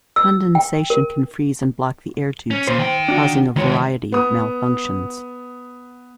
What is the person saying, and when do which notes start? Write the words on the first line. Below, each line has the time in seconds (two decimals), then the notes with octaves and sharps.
Condensation can freeze and block the air tubes causing a variety of malfunctions.
0.16 E6
0.55 G5
0.90 A#4
2.51 C#4
2.68 A#2 C5
2.79 D#3 G5
3.08 D4 F#4
3.56 C#2 D#3 G#3 C#5
4.12 B3 D#6